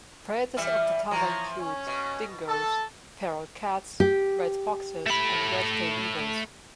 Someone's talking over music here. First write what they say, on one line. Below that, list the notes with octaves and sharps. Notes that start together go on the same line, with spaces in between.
Predators of the tammar include dingos, feral cats, red foxes and wedge-tailed eagles.
E3 G3 E5
E3 F3 C#5 A#5
C#4
B2
A4
G4
A3 B5